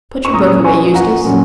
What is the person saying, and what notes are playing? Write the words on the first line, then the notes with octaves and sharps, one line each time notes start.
Put your book away, Eustace.
C#6
A#2 F#3 C#4 A#5 D#6
G#5 C#6
F#5 A#5
A#2 F#3 C#4